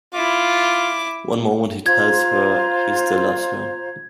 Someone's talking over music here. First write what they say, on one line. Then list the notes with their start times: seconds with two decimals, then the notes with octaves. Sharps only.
One moment he tells her he still loves her.
0.14 E4 F4 D6
1.86 F4 C5 A#5 G#6